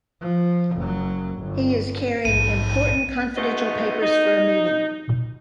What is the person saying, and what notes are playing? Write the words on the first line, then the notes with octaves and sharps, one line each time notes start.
He is carrying important confidential papers for a meeting.
F3
F#1 F#3
G1
A#1 G#2 D#7
G#2 B2 A3 B3 D#5
D#4